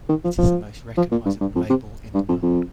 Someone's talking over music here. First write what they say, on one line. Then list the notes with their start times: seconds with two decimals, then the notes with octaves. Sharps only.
It is the most recognizable label in the world.
0.09 D#3
0.24 F3
0.38 F3
0.97 F3
1.12 A#2
1.26 G2
1.41 G2
1.55 F2
1.70 C3
2.14 G2
2.29 F2
2.42 F2